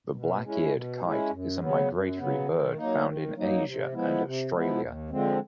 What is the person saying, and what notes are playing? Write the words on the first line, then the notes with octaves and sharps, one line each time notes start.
The black-eared kite is a migratory bird found in Asia and Australia.
B2
G#3 C#4 E4
B2
G#3 C#4 E4
F#2
C#3 F#3 B3
F#2
C#3 F#3 B3
D#3
F#3 A#3 D#4
D#3
F#3 A#3 D#4
C3
F3 G#3 B3 E4
C3
F3 G#3 B3 E4
D#2
D3 F3 G#3 C4